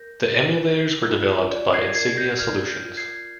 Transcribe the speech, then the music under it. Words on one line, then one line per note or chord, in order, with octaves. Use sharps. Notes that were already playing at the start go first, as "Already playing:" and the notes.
The emulators were developed by Insignia Solutions.
Already playing: A#4 G6 A#6
F4
A#4
F4
D5
G#6 C7
A#4 G#6 C7
G6 A#6
D5 F6 G#6
G6 A#6
F4
G#6 C7